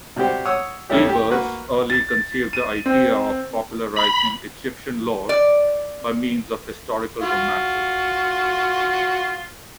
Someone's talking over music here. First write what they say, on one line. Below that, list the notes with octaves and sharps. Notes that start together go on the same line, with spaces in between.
Ebers early conceived the idea of popularizing Egyptian lore by means of historical romances.
C3 G3 F#4 G4 C5
C#5 F#5 D#6 E6
F2 G3 A3 C#4 E4 G4
G4
A#3 F#4 B4 C#6
A6
D#7
C4
B5
D5
F4 F#4